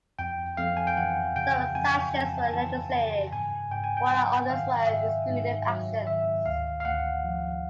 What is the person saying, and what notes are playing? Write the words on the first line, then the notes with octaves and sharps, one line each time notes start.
Some sanctions were legislated while others were executive actions.
F2 G5
F2 F5
G#5
G5
E3 F#5
C#3 G5
F2 G#5
F2 A5
E3 A5
C#3
G#2 G#5
G#2 G5
G#5
G5
F#3 F#5
D#3 F5
G#2 E5
G#2
F#3
D#3 E5
D2 F5
F5
D2 F#5
F3